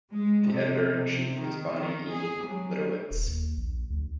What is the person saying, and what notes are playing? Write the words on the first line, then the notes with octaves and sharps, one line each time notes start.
The editor in chief is Bonnie E. Litowitz.
G#3
C3
C3
D#3
D#3
G#4
F#3
D#1
D#2
A#1
D2